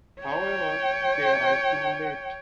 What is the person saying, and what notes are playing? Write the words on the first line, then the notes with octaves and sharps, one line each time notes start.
However, they arrive too late.
C#5 G5